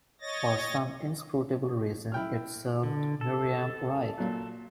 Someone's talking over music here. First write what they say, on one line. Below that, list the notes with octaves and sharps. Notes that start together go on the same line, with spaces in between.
For some inscrutable reason it served Miriam right.
C#5 D#5 A6 A#6
E4 G5 F6
D3
A4
A#2 F#3